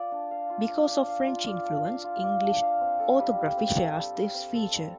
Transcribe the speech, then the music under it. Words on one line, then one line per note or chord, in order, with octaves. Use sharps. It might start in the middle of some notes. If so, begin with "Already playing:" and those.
Because of French influence, English orthography shares this feature.
Already playing: F4 D5
D4
F5
F4
D5
D4
F5
F4
D5
D4
F5
F4
D5
D4
F5
C4
A4
G3
G3
C4
A4
G3
G3
C4
A4
G3